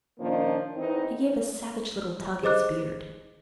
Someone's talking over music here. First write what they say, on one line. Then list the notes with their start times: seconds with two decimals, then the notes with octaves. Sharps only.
He gave a savage little tug at his beard.
0.19 A#2 D#3 F3 A#3 C#4 D4
0.76 E2 C4 D#4
2.43 G4 G#4 C5 D#5 D6 F#6